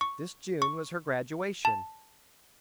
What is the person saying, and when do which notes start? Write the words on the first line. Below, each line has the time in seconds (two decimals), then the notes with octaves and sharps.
This June was her graduation.
0.01 C#6
0.62 C#6
1.65 A5